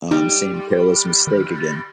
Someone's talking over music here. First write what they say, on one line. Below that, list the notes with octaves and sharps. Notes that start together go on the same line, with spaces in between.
um, same careless mistake again.
G3 D#4
D#3